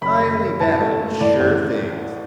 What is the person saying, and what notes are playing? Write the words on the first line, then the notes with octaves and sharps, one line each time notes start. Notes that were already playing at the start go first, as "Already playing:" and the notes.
"I only bet on sure things."
F#1 B5
F#1
F#1
A2 A5
A3
A3
A2 D5
A1